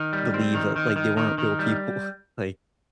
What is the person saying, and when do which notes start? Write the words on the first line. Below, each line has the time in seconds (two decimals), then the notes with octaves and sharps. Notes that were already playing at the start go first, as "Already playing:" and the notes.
believe that, like, they weren't real people, like,
Already playing: D#3
0.13 G3
0.34 C4
0.55 D#3
0.76 D#3
0.96 D#3
1.17 D#3
1.38 D#3
1.59 G3